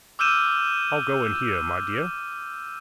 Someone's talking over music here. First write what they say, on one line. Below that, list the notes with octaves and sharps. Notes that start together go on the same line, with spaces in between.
'I'll go in here, my dear.'
D6 E6 F6 G6 D#7 E7